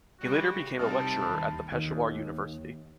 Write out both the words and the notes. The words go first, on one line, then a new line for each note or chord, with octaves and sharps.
He later became a lecturer at the Peshawar University.
C#3 G3 F#4
C2 G3 C4 D#4 A5 F6
D#2 B5
D#2